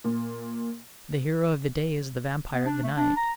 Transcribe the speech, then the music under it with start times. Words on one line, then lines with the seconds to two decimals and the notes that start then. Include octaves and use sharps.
The hero of the day is the vampire of the night.
0.04 A#2
2.53 B3
2.66 D4
2.83 A3
2.97 D4
3.16 A#5